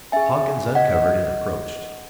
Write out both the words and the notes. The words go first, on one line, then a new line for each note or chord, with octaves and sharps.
Hawkins uncovered and approached.
C#4 G#4 E5 G#5
D#5 F#5